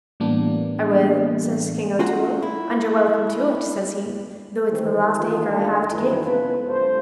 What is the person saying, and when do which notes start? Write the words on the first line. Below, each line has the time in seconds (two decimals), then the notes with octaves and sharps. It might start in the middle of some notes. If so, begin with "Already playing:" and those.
"I will," says King O'Toole, "and you're welcome to it," says he, "though it's the last acre I have to give."
0.20 A2 E3 G3 A#3 B3 D4
1.99 C#4 F4 F#4 A#5
2.43 E4
4.69 C2 D#3 E3 C4
5.16 D#3 E3 A#3 F4
5.46 D#2 A3 D4 A4
5.90 G2 D#3 E3 F#3 A#3 E4
6.24 C#2 B3 A4 B4
6.66 G2 C3 A3 F4 C5